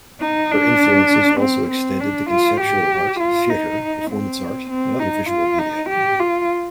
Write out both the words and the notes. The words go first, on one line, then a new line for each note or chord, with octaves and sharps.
Her influences also extended to conceptual art, theatre, performance art and other visual media.
D#4
D4
C4
C4
D4
F4
G4
F4
D#4
C4
C4
D#4
F4
D#4
G4
F4